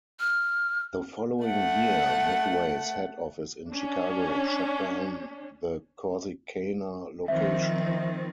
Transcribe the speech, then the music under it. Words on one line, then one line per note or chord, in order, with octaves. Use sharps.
The following year, Midway's head office in Chicago shut down the Corsicana location.
F6
A3 F#5
C#4 D4
D#3 F3 C4 E5